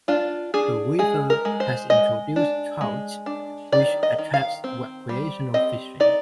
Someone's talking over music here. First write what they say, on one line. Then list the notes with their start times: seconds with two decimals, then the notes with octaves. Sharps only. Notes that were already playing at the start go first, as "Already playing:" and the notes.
The river has introduced trout which attracts recreational fishing.
0.08 D4 F4
0.54 D4 G#4
0.99 G#3 G#4
1.30 A#4
1.45 G#3
1.60 C5
1.90 G#3 D#5
2.36 D4
2.81 G#3
3.26 D4
3.72 D#3 D5
4.03 D#5
4.18 D#3
4.34 F5
4.64 C4
5.09 G3
5.54 C4 D#5
6.00 D#4 D5